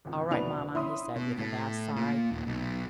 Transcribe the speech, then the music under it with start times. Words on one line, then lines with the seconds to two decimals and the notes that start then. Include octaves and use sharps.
"All right, mamma," he said, with a vast sigh.
0.05 G#1 C#2
0.31 F1 B2 D4 E4 B4 F7
0.75 C#4 E4 E5 C6 D#6
1.16 B2
1.38 A2
1.96 A#2
2.31 D#1
2.47 B1